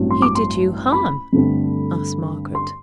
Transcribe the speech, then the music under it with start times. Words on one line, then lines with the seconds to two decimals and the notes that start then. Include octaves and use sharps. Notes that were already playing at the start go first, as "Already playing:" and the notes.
'He did you harm?' asked Margaret.
Already playing: A1 G2 F#3 C4
0.10 C6
0.22 D6
0.35 C6
0.92 B5
1.33 G2 D3 A3 C4
2.55 C6